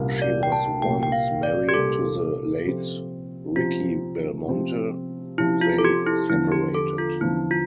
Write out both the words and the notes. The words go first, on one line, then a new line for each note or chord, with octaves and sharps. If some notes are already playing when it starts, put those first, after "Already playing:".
She was once married to the late Ricky Belmonte, they separated.
Already playing: C2 A#2 G3 A#3
D5
G5
A5
C2 A#2 G3 A#3 G5
G5
F5
D5
G4
C2 A#2 G3 A#3 A4
C3 F3 C4
C3 F3 C4 F4
C3 F3 C4
C3 F3 C4 E4
F4
A4
G4
E4
E2 D3 F3 E4
G4
A4
F4
E2 D3 F3 E4
F4